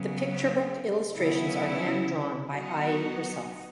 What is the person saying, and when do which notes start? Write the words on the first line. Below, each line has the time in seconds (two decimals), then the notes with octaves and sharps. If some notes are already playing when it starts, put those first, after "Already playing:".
The picture book illustrations are hand-drawn by Ai herself.
Already playing: C#3 F#3 B3
1.15 C#3 F#3 B3 E4
2.51 F#3 B3 D#4 F#4